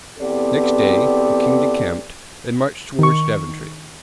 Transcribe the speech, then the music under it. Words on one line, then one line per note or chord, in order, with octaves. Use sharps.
Next day, the king decamped, and marched towards Daventry.
E2 B3 C4 G4 A4 D5
D#3 C#6